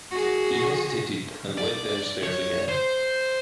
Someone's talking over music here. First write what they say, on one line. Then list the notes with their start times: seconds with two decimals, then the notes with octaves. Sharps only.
He hesitated and went downstairs again.
0.11 F#4 G#4
1.58 D5
2.23 C#5
2.68 C5